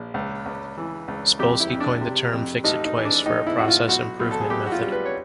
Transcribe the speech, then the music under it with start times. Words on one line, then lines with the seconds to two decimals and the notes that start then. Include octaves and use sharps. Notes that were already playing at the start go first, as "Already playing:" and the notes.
Spolsky coined the term "fix it twice" for a process improvement method.
Already playing: A#1
0.14 C#2
0.46 C#2
0.77 E3
1.08 C#2
1.39 F2 G4
1.60 E4
1.70 F2
1.80 D4
2.01 C3
2.33 F2
2.64 A1 D#4
2.85 D#4
2.95 E3
3.05 D4
3.26 A2 D#4
3.47 E4
3.57 A2 F#4
3.68 F4
3.88 B1 F#4
4.19 B1
4.31 A4
4.40 G#4
4.50 B1 G4
4.66 F#4
4.72 F4
4.81 G3
4.92 B4
5.06 C#5